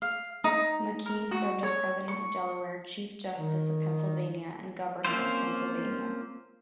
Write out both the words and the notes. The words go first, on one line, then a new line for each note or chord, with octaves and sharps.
McKean served as President of Delaware, Chief Justice of Pennsylvania, and Governor of Pennsylvania.
F5
D#4
A#4
F#4
C#5
C#6
D#3
A#3 C4 C#4 F4 C5